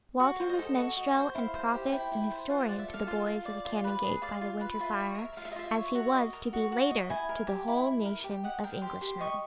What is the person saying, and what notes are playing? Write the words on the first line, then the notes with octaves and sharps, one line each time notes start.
Walter was minstrel and prophet and historian to the boys of the Canongate by the winter fire, as he was to be later to the whole nation of Englishmen.
F#4
C5
D#5
A4
F#4 D#5
F#4
C5
E4 F5
C5
G4
E4 G5
E4
C5
F4 F#5
F#5
D5
E5
A4
F5
F4 F5
F4
D5
F4
B4
G#4
D5 F5
F4
B4
F4 E5
C#5 E5
D#5
A#4 E5
F4 F5
E5
D#5
F4 E5
C#5
F#4
D#5
A#4
F#4
F#4
D#5
E4 G#5
A#4
G4
E4
E4
A#4
G4 G5
D#5 F#5
A#4 G5
G4 C6
G4 C6
D#5 C#6